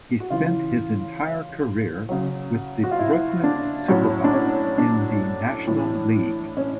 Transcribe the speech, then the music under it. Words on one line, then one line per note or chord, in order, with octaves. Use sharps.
He spent his entire career with the Brooklyn Superbas in the National League.
F#4
C#3 E3 F4
C#3 F#3
F#4
F4
E4
D4
A2 F#3 C#4
D4
C#4
D4
A2 E3
C#4